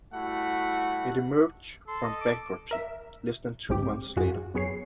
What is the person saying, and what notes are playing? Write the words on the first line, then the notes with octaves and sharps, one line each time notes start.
It emerged from bankruptcy less than two months later.
G3 A3 E4 F#4 F#5
A4 C6
D#5
D6
A#4 E5
B1 G#2 C4 G4 D6
F#2 F4 F#4 G#4
F#2 B3 G#4 C#5 C7